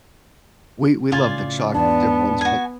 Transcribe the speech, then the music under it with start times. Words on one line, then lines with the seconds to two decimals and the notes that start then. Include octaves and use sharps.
We we loved the chocolate chip ones, but
1.12 A2 C#3 F4 D5 G#5
1.74 E2 G#2 B3 D4 A5
2.41 F#4 G#5